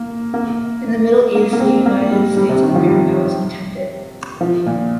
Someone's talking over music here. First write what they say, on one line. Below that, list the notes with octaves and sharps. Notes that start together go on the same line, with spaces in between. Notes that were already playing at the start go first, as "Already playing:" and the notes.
In the Middle East, the United States of America was intended.
Already playing: A#3
A#3
A#3
A#3
C4
A#3
G3
G3
C3
D#3
F3
G3
F3
A#2